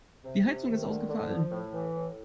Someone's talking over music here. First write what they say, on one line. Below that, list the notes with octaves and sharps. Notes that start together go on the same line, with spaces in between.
Die Heizung ist ausgefallen.
C3
C3
D#3
D3
D3
F3
A2
E3
A2